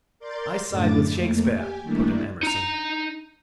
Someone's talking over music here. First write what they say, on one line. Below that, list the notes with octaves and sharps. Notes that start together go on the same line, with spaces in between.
"I side with Shakespeare," put in Emerson.
A#4 D5 C6 G6 A6
F#2 A2 D3 A3 D6 A6
F2 A3 A#3
G4 G#5
D#3 G3 A3 A#3 D4 E4
D#4 A#5